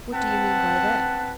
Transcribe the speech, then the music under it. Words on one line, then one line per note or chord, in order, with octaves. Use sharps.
"What do you mean by that?"
C4 B4 F#5 A5